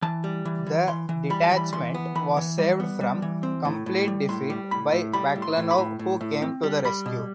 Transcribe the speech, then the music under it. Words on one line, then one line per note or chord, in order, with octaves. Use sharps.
The detachment was saved from complete defeat by Baklanov who came to the rescue.
E3 A5
G3
E3
E3
E3 C6
E3
G3 B5
A5
E3 B5
E3 C6
B3
E3 B5
E3
G3
B3
G3
E3
C4
A2
A2
G3
A2 C6
G3
A2 B5
A2
G3 B5
A2
C6
A2
B5
A2
A2
A2
C4
G3
G3 B5
B2